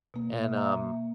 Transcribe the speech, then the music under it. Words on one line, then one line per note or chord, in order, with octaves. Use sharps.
and, um,
B2 A#3
B2 A#3 E5
A#5
B2 A#3